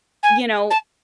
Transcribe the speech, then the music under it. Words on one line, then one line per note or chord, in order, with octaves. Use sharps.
you know,
G#5
A5